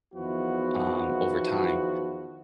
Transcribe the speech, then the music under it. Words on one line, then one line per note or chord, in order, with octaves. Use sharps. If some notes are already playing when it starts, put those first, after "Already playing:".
um, over time,
E2 D#3 F3 B3 E4 F#4